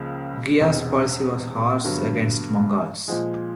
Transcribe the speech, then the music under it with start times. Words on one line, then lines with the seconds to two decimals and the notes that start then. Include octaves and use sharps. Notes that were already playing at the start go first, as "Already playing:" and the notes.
Ghiyas's policy was harsh against Mongols.
Already playing: C#2 C#3 F3 A#3
0.60 E1 E2 C3
1.84 G2 D3 F#3 B3
3.08 A#2 F3 G#3